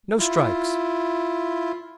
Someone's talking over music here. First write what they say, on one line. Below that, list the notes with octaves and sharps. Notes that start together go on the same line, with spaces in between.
No strikes!
E4 F4